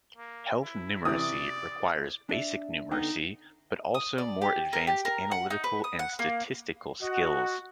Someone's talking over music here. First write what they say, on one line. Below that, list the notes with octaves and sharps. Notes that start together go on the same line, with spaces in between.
Health numeracy requires basic numeracy but also more advanced analytical and statistical skills.
A#3
E4
C3 E3 D5 D#6
D4 D5 E5
D3 B3 D#4 G5
D#6
D5
G4
A#4
G4
A#4
F#5
D#4
B4
D#6
F#5
A#3
F#4 D#5 F#5